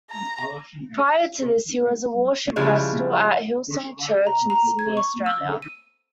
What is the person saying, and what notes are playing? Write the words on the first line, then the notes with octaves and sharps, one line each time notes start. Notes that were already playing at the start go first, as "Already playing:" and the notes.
Prior to this he was a worship pastor at Hillsong Church in Sydney, Australia.
A#5
C#3 F3 G3 G#3 E4
A#5
A#5
G#6
C#6
E6
D#7